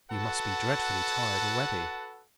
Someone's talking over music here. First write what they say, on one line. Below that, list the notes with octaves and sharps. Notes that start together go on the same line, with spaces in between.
'You must be dreadfully tired already.'
F#4 A4 B4 F#5 A5